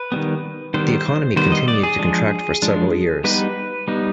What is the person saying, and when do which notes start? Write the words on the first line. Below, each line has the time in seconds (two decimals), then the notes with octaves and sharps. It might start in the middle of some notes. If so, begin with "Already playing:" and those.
The economy continued to contract for several years.
Already playing: B4
0.12 D#3 G3 B3
0.74 D#3 G3 B3 C5
1.36 D#3 G3 B3 C5
1.52 D#5
1.68 D5
1.83 G#4
1.99 F3 G#3 D4
2.62 F3 G#3 D4
3.24 G3 B3 D#4 B4
3.88 G3 B3 D#4